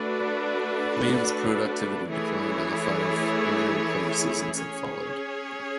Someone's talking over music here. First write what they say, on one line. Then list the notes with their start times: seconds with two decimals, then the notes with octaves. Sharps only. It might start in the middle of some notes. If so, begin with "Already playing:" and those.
Williams' productivity declined in the five injury-plagued seasons that followed.
Already playing: A3 D4 F#4 B4 D5
2.09 E3 A3 E4 G#4 C#5
4.56 C#4 G#4 C#5